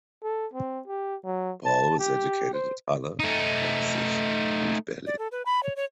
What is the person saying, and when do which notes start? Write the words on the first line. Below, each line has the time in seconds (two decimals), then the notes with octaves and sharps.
Paul was educated at Halle, Leipzig, and Berlin.
0.23 A4
0.53 C4
0.87 G4
1.24 F#3
1.66 A5
1.99 G4
2.53 C5
3.19 A3 D#4
5.06 D5
5.19 A4
5.32 B4
5.46 B5
5.63 C#5
5.76 C#5